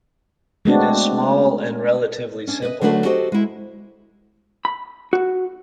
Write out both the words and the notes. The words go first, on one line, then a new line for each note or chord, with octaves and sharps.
It is small and relatively simple.
G#3 A3 B3 C4 D4 F#4
C#4 D4
B4 D#5
D3 F#3 A3 D4 F#4 B4
F#4 G4 A4 C5 D#5
G#3 E4
B5
F#4